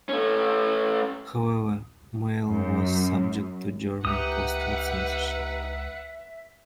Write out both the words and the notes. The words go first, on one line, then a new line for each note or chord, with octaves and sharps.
However mail was subject to German postal censorship.
A3 C#4
F#2
C#2 D#4 G4 B4 E5 F#5 D#6